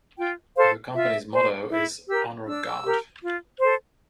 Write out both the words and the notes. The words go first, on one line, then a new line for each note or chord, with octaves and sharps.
The Company's motto is "Honour God".
F4 G5
A4 C5 F5
F4 E5
C5
E4
G4 A#4 E6
D4 E6
G4 A#4
F4
A4 C5